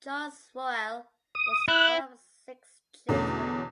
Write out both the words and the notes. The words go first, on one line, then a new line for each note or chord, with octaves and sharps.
Charles Roehl was one of six children.
D#6
E4 F#6
E2 B2 D3 A3 C#4